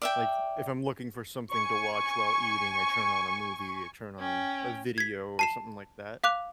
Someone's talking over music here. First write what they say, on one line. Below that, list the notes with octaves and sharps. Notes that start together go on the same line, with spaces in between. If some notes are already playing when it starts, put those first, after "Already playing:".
like if I'm looking for something to watch while eating, I turn on a movie, I turn on a video or something like that.
D5 E5 G5
G#5 C#6
C#4 G5
G#6 B6
A5 C7 E7
F5 D6 F#6 F7